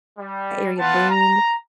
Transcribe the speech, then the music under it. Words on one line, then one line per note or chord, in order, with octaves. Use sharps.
area, Boone,
G3
B3 F4 F#5 A5
A#5